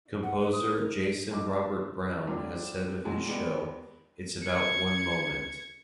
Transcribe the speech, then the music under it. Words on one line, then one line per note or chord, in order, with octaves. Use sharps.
Composer Jason Robert Brown has said of his show, It's about one moment.
F#5
B4
D#6
A#4
F#2 D#5 D6
A5
G2 D3 F3 F#3
G#2 B2 D#3 E3 F#3 G#3
G3 G#3 B3
G#6 C#7